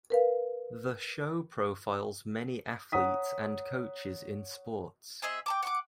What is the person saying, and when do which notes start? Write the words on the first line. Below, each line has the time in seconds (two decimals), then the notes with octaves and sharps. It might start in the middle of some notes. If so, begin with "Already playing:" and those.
The show profiles many athletes and coaches in sports.
0.10 A#4 B4 F5
2.92 C#5 F#5 A#5 D#6 B6
5.22 C4 G#4 D#5 E5
5.46 G5 A5 D6
5.63 F#5 C#6 D6